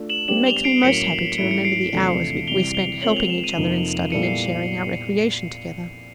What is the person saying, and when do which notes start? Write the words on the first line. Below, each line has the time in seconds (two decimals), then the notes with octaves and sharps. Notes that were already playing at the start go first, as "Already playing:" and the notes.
It makes me most happy to remember the hours we spent helping each other in study and sharing our recreation together.
Already playing: A3 D4 F4
0.09 E7 F#7
0.28 G3 B3 D4 G4 C5 E7 F#7
0.46 F7 G7
0.64 C7 D7
0.83 A2 F#3 A#3 C#4 B6 C#7
1.38 G#2 E3 A3 C#4 E4 D7
1.51 C#7
1.65 C7 D7
1.92 E2 C3 F3 A3 D4
2.47 C3 E3 G3 F7 G7
2.74 F7 G7
3.02 G#3 C4 F4 A#4 C#5 F#7
3.17 F7
3.30 E7
3.44 D#7 F7
3.57 F2 C3 F3 A#3 D#4
4.12 A#2 G3 B3 E4 A4 C#7 D#7
4.23 C7